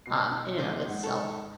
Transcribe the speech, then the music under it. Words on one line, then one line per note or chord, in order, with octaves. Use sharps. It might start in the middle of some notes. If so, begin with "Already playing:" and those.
um, in and of itself.
B2 C7
C5 D#5 D6
G#2 F#5
A4 C#5